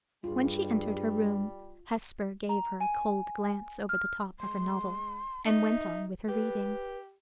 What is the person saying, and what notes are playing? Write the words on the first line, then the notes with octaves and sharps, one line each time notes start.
When she entered her room, Hesper gave her a cold glance over the top of her novel, and went on with her reading.
G2 G3 F4 G#4
A#5
G#5
F6
G#3 C6
D#4 E5
G4 B4